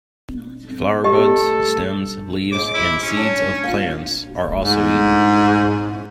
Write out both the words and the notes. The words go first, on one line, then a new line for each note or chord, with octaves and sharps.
Flower buds, stems, leaves and seeds of plants are also eaten.
G4 A4 D#5 G5
G#2 C5 D6
E4
C#4
F#3 A5
A#3 D4 F4
G#2